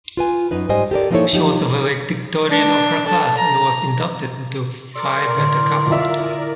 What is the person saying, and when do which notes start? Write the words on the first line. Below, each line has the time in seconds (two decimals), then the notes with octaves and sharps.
She was valedictorian of her class and was inducted into Phi Beta Kappa.
0.17 F4 B4 G#5
0.51 F#2 D#4 B4
0.69 G#2 G3 C5 D#5 G#5
0.91 G4 A4 A#4 D5
1.11 F3 A#3 D#4 E4 A4 C#5
1.33 F3 D#4 G4
2.49 D4
3.07 A4
3.37 A#5
4.95 A4 A#4 D5 C6 F6 E7
5.34 A2 D3
5.91 F4 E5
6.20 E4 D#5 G#5